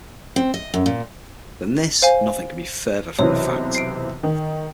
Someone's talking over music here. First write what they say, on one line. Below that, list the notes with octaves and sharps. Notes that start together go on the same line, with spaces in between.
Than this nothing can be further from the fact.
C4
D#5
F#2
A#2
C5 F5 G#5
B1 C3 E3 C#5
C7 D7
D#3